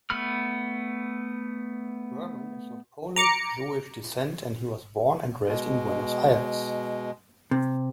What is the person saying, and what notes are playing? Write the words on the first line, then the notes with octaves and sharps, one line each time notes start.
Burman is of Polish-Jewish descent, and he was born and raised in Buenos Aires.
A3 B3 B5 F6
A#5 D6 C#7
B2 G#3
C3